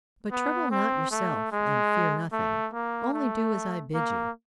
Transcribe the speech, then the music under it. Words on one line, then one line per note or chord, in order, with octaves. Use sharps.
But trouble not yourself and fear nothing, only do as I bid you.
B3
C4
A3
G#3
A3
A#3
A3
A#3